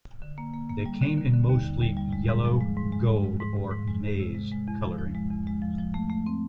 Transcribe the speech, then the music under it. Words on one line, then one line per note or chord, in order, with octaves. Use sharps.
They came in mostly yellow, gold, or maize coloring.
D3
A#3
A#3
A#3
G3
D3
D3
D3
D#2
D3
G3
G3
G#3
G#2
F3
G#3
G#2
G#3
G#2
G#2
G#2
G#2
G#2
G#3
G#3
C3
G#3
G#3
E2
F3
F3
G#3
E2
G#3
F3
F3
A3
A3
C4